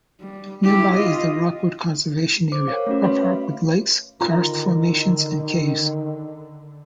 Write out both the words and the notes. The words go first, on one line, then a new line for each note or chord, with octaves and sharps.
Nearby is the Rockwood Conservation Area, a park with lakes, karst formations and caves.
G3
E4 G4
F4 D#5
C5 D6
A#4 C#5 F5
A3 C#4 F#4
B4 C#5 B5 C6
E5 F5
D3 D#3 F4 A#5